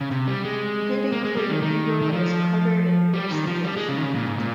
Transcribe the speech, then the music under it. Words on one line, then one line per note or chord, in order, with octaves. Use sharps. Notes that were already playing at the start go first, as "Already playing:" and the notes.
Gooding played a main role as Carter in "Percentage".
C#3
C3
G3
G#3
A#3
G#3
G3
D#3
D#3
D#3
F3
G3
D#3
F3
G3
G#3
C#3
D#3
C#3
A#2
G#2
A#2